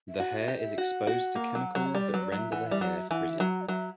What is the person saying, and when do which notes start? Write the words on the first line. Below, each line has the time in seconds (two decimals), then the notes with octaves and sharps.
The hair is exposed to chemicals that render the hair frizzy.
0.09 E5
0.20 F#4 F#5
0.39 E5
0.48 G4
0.58 E5
0.78 F#4 F#5
1.07 F#4
1.35 A#3
1.55 F#3
1.75 F#3
1.86 C#5
1.94 G3 D5
2.09 F#3 B4
2.23 D5
2.32 F#3
2.38 E5
2.52 E3 F#5
2.67 G3 E5
2.81 F#3 F#5
2.96 E5
3.11 E3 F#5
3.30 E5
3.40 F#3
3.49 F#5
3.62 D5
3.68 F#3 E5